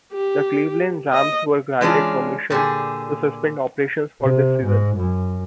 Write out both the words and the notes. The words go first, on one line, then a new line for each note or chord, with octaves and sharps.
The Cleveland Rams were granted permission to suspend operations for this season.
G4
D#5
E3 G#3 C#4 D4 F4
A#2 D3 G4 G#4
C3
G#2
F#2